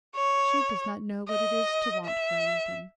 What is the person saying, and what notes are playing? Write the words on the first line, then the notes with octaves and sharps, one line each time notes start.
"She does not know what it is to want for anything."
C#5
D#5
E5